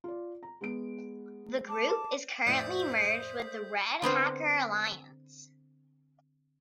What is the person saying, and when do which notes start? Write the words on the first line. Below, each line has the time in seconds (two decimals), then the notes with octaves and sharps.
The group is currently merged with the Red Hacker Alliance.
0.04 F4 D5
0.43 A#5
0.61 G#3 B3 D7
1.68 A5 D6
2.47 F2 A2 C5 D5 E5 D#6 G6 B6
4.02 D3 B3 C4 C5